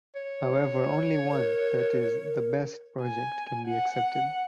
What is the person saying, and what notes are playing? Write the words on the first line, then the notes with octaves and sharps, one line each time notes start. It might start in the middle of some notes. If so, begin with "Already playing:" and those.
However, only one, that is, the best, project can be accepted.
C#5
A#4
G#5
F#5